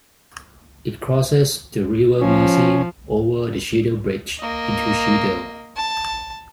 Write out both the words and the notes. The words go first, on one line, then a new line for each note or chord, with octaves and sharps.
It crosses the River Mersey over the Cheadle Bridge into Cheadle.
F3 C#4
A#3 D#5
A5